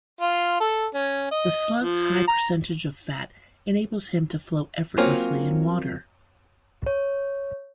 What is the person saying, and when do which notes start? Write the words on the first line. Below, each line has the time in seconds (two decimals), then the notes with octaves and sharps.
The Slug's high percentage of fat enables him to float effortlessly in water.
0.21 F4
0.60 A4
0.94 C#4
1.31 D#5
1.83 F3
2.28 A#5
4.98 F#3 A#3 C4 C#4 F4
6.86 C#5